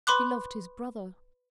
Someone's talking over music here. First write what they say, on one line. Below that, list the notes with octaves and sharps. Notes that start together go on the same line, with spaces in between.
She loved his brother.
B4 B5 C6 D6 F#6